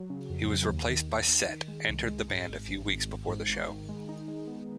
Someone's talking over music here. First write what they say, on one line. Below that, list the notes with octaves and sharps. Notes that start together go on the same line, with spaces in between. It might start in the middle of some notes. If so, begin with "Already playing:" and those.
He was replaced by Set entered the band a few weeks before the show.
Already playing: F#3
C#3
F2
F2
D#2
D#3
D#2
D#2
D#3
G#3
C2
G#3
G#2
G#1
G#1
G#1
G#1
G#2
G#1
D#3
G#3
D#4
G#3
B3